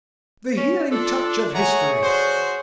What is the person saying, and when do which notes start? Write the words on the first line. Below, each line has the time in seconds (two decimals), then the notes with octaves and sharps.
"The healing touch of history."
0.57 C#4
0.92 D4 F4 A4
1.54 A3 G#4 C#5 F#5 G#5 A#5
2.02 D3 F#4 C5